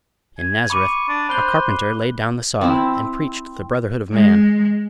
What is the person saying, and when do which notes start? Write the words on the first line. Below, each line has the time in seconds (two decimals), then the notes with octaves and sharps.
In Nazareth a carpenter laid down the saw and preached the brotherhood of man.
0.38 G#5
0.70 B5 C#6 D6 D#7
1.09 D4
1.29 C5 B5 F#6 G7
2.61 C4 E4
4.13 G#3